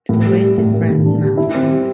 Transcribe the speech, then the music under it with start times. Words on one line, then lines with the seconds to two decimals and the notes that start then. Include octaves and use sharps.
To the west is Brandon Mountain.
0.09 A2
0.25 G3
0.41 G3
0.58 A2
0.74 A2
0.90 A2
1.06 D4
1.22 G3
1.37 E4
1.54 C4
1.70 G3